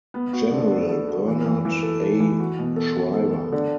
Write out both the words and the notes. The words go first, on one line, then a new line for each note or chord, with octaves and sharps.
General Bernard A. Schriever.
B3
F#4
D3
A4
A4
F#4
E3
E3
E3
A4
A4
E3
F#4
B2
A4
F#4
A4
A4
D3